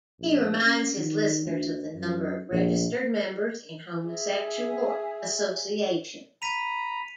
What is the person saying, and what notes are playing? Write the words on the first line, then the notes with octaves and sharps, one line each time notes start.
He reminds his listeners of the number of registered members in homosexual associations.
A#1
C#4
D#3
D2
F#2
A#1
G#4 E5
A#5 B5 B6 D#7 F7